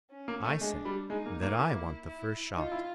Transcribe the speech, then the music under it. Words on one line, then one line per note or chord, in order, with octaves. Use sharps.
"I say that I want the first shot."
C#4
A#3
A3
G#3 D4
G3
G#3 D#4
A#3
A#3
E4
E4
D#4 F4
E4